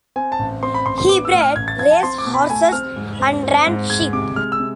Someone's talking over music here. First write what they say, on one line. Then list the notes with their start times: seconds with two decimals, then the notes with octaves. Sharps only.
He bred racehorses and ran sheep.
0.16 C4 G#5
0.32 A5
0.39 A1
0.63 C4 C6
0.74 B5
0.86 A1 C6
0.98 C6
1.09 B3 D6
1.25 E6
1.33 A2
1.41 F6
1.56 A1 G#6
1.68 A6
1.79 F3 G#6
1.91 A5
2.03 C4 C6
2.18 D6
2.26 B2
2.34 B5
2.50 A3 G#5
2.72 C4 F6
2.96 G#2
3.20 C4
3.43 C4
3.67 G#2
3.90 G#3 G#6
4.13 C3 D6
4.36 G#3 F6
4.52 E6
4.60 C3